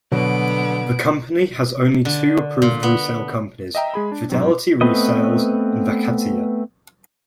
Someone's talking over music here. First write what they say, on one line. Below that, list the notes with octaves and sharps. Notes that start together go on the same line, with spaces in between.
The company has only two approved resale companies, Fidelity Resales and Vacatia.
B2 D3 F#3 B3 D7
D3
A#2
B3
D#5 E5 G5 A#5
G#3 G#4 B5
D4
G#2 F#3 C4
A3 B3 C4 B4 D#5